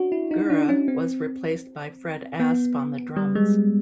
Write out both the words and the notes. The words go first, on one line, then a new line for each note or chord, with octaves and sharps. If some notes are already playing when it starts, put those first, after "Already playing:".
Gurra was replaced by Fred Asp on the drums.
Already playing: C#4 D4 F#4
E4
D#4
D4
C#4
C4
B3
G3
G#3